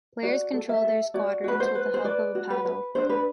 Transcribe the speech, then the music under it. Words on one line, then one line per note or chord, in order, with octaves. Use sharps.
Players control their squadrons with the help of a paddle.
F#4 D5
A4
E5
A4
F#4 D5
F#4 B4
C5
B4
C5
B4 D5
F#4
B4
B4
D4 C5
B4